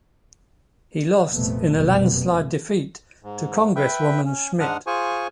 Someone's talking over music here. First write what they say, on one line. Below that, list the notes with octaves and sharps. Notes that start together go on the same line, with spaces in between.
He lost in a landslide defeat to Congresswoman Schmidt.
F1 C2 F2 A#2 A3 B3
F1 F#2 B2 G3 B3
G#2
B4 E5 G5
C#4
G#2 G#3 D4 F#5 D#6 F6
F4 G#4 C5 G#5 C#6